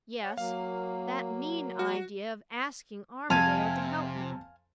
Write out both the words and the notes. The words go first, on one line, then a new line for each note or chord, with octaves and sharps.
Yes; that mean idea of asking Armadale to help me!
C#5 F#5
F#3 A#3 F5
F#4
F2 C3 F5 G#5 A5